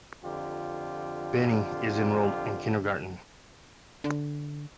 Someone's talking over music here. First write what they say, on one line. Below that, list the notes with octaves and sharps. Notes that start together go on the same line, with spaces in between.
Benny is enrolled in kindergarten.
F2 D3 F4 G4
D3